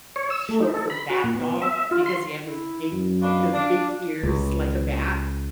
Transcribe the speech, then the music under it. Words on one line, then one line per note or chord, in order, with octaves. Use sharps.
c short for Bat Dog, because he had those big those big ears like a bat
C#5
E6
A3
D#4
A4
B5
F#4
A#2
B3
E5
F4
C6
E4
F#2
B2 D#3 D4 F5
D4
C#2